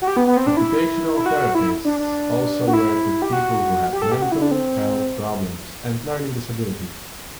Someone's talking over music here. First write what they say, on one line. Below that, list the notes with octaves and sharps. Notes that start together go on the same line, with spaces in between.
Occupational therapists also work with people who have mental health problems and learning disabilities.
F#4
G4
B3
B3
C4
D4
E4
E4
F#4
E4
D4
D4
F#4
E4
G4
F#4
G4
A4
G4
F#4
E4
D4
C4